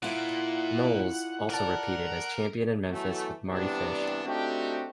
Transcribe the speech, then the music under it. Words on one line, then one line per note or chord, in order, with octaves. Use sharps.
Knowles also repeated as champion in Memphis with Mardy Fish.
A#2 E4 F4 F#5
A#4 D5 A5
B2 E3 F#3 A3
C3 E3 G3 B3 D4
A3 C4 D4 D#4 F#4 G4